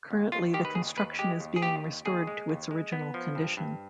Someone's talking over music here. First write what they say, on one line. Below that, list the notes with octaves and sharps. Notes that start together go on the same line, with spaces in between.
Currently, the construction is being restored to its original condition.
D#2
D#2 F4
D#3 G4
B4
D#2 G#4
D#2 B4
G#3 G4
D#2
G#4
D#2 G4
D#2
D#2 G#4
G#3
D#2
G#3
B3
F3
G2
G2